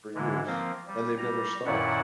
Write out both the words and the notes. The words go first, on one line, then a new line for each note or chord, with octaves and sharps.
for years, and they've never stopped.
G#2 D3 E3 G#3
F3 A#3 C4
G3
G3 A#5
F#2 A#2 D#3 E4 D5 F#5